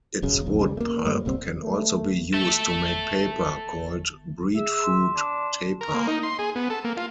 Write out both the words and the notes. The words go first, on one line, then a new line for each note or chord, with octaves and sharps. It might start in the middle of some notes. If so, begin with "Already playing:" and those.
Its wood pulp can also be used to make paper, called breadfruit "tapa".
D#1 G#1 F#2 C#3
A#1 D#2
C#3 G3
A3 A#3
G2 G3 A3 A#3
D#1 C2 G3 C4
A3
A4 E5
G#4 E5
C6
D4
A#4
A#3
D#4
C6
G#4
B3
A4
A#3
F4